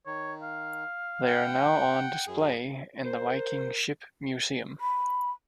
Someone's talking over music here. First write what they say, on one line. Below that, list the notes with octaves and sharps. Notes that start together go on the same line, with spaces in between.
They are now on display in the Viking Ship Museum.
D#3 C#5
F5
F#5 G5
F#2 G#4
A#4 C5
B5